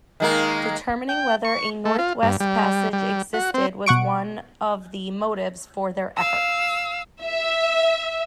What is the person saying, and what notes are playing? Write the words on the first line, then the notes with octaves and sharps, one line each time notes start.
Determining whether a Northwest Passage existed was one of the motives for their efforts.
D#3 G#3 A#3
G5
C#6
A3
F4
G2
G3
G3
F#4
C4
B2 F#5 C#6 D7
F5 E6
E5